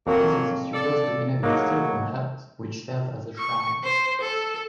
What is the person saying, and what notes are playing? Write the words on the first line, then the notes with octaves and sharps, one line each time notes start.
It is also supposed to inhabit a certain hut which serves as a shrine.
F2 F#3 A#3
A4 D5
A2 C#3 F#3 A#3 D#4 F5
C#6
C5
A4